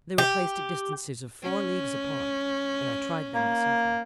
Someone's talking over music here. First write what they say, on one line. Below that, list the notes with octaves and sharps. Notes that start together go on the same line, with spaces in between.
They were placed at distances of four leagues apart, and I tried them this evening.
G4
C#4
A#3